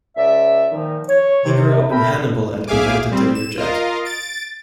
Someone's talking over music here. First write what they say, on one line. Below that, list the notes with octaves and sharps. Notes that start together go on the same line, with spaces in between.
He grew up in Hannibal and invented the Lear Jet.
C#2 D5 E5
A#2 D#3 F3 D#4
C#5
C3
A4 A#4 E5 G5 B5
B1 G#4 E5 F5 G#5 D6
G3 C4
E7
F4 A#4 D#5 F5
A6 D7